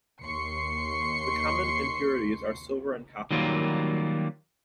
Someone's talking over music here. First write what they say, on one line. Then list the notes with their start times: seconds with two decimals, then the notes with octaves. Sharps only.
The common impurities are silver and copper.
0.23 D#2 C6 C#6 C7 C#7
3.31 D#3 F#3 G3 A#3 F4